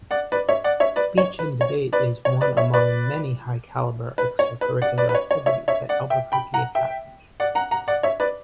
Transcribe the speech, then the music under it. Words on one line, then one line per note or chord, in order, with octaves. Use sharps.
Speech and Debate is one among many high caliber extracurricular activities at Albuquerque Academy.
D5 F#5
B4 D5
C#5 E5
D5 F#5
C#5 E5
B4 D5
C#5
B4
C#5
B4 D5
C#5
B4 D5
C#5 E5
B4 D5
B4
C#5
B4
D5 F#5
B4 D5
B4
C#5
C#5
C#5 E5
C#5 E5
D5 F#5
E5 G5
G5 B5
F#5 A#5
E5 G5
D5 F#5
F#5 A#5
F#5 A#5
D5 F#5
C#5 E5
B4 D5